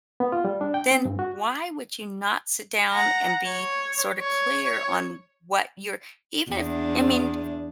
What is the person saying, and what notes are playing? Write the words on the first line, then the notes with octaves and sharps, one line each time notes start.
then why would you not sit down and be sorta clear on what you're even if I mean
B3
F4
G3
D4
G5
C4
G2
F#4
F#5 A#5
C#5
C#5
E2 D4